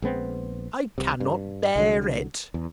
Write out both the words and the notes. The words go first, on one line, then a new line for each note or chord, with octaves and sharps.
"I cannot bear it!"
A#1 G#3 B3 C4
C2 C3
G2
C2 D3 F#3
E2